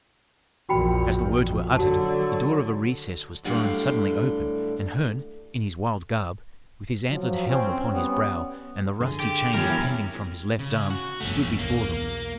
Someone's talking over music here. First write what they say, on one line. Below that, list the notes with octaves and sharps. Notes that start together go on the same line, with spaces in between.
As the words were uttered, the door of a recess was thrown suddenly open, and Herne, in his wild garb, with his antlered helm upon his brow, and the rusty chain depending from his left arm, stood before them.
A#1 E2 F#4 G5 B5
F2
D3 F#3 F#4 A5
A2 D3 F#3 G3 A3 F5
F3 F#3
C4 C#4
G3 B3 C#4
D3 G#4
G4
D#3 G3 B3 C#4 F4 A#4
E4 F#4
C#3
F#4
G1 F2 A3 C#4
B1 E2 A#3